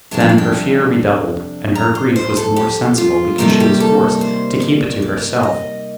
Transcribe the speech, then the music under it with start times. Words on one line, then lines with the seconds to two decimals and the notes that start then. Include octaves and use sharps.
Then her fear redoubled, and her grief was the more sensible because she was forced to keep it to herself.
0.11 F2 C3 G3 D4 A5
0.20 G5
0.29 F5
0.38 G5
1.75 A#5
1.95 C5
2.16 C5
2.37 A4
2.56 G4
2.98 F4
3.38 C3 D#3 G3 A#3 G4
3.50 A4
3.60 G4
3.80 A4
4.21 C5
4.62 D5
5.02 D5
5.43 D#5